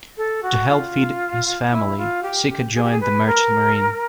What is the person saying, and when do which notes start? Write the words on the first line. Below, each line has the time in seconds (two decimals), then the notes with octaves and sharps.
To help feed his family, Sika joined the Merchant Marine.
0.17 A4
0.43 F#4
0.69 F4
1.71 E4
1.97 F4
2.23 G4
2.49 G4
2.75 G#4
2.83 G4
2.91 G#4
3.00 B4
3.26 A#4